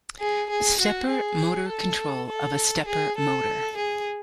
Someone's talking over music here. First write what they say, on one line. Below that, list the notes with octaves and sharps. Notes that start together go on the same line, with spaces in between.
Stepper Motor Control of a stepper motor.
G#4
G#4
F#4
G#4
A4
A4
G#4
A4
G#4